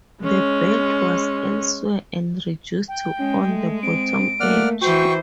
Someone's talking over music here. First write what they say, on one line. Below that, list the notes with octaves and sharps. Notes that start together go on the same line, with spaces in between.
The belt was elsewhere and reduced to on the bottom edge.
G#3 C#4
G5
G#3 C#4
A3
C4 D7
A3 A#3 D5 F#5 F6
E3 F#4 C5 G5 C#6